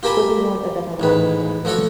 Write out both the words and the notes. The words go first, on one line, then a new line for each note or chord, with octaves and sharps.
Couldn't want a better life and death.
F4 G4 A#4 G#5 A5 B5
A1 G#2 B4
F3 A3 F#4 A4 C#5